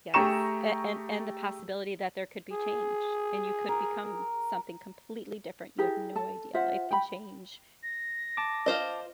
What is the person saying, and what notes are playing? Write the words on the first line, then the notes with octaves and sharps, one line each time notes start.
Yes, a an and the possibility that there could be change, and you could become something completely different. You have no idea, life can change
A3 G4 G#4 A#5 C#6 E7
G#4
A#4
E4 G4 G#4 A#4
A4 A5
F4 C5 E5 F#5
G5 B5
A#6
A5 D6
F4 C5 D#5